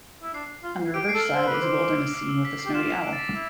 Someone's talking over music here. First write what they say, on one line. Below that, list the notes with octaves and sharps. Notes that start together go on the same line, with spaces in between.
On the reverse side is a wilderness scene with a snowy owl.
E4
D4 C7
F4
G4 D7
D7
C7
A4
F6
E6
C5 E6
B4
D6
C5
D6
D6
E6
F6
E6
B6
C7
G4
F4 E7
F7
D7
A6
B6
E4 A6